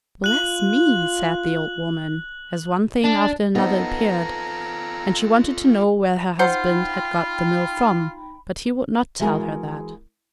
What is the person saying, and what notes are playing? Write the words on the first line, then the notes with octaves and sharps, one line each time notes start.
"Bless me!" said the old woman as one thing after another appeared; and she wanted to know where her husband had got the mill from, but he would not tell her that.
F4 F#6 F#7
D4
B3 C4 D#4 F4 A4 A#5
D#4 F4 C5 F#5 G5 B5
E3 G#3 F#4 G#4 A#4